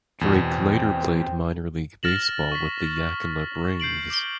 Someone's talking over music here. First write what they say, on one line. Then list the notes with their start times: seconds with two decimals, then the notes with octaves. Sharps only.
Drake later played minor league baseball with the Yakima Braves.
0.21 E2 B2 C4 G5
2.03 F6 A6 A#6 E7 F#7
2.52 C#6 B6
3.80 G6 C7 D7 F#7
4.10 D6 G7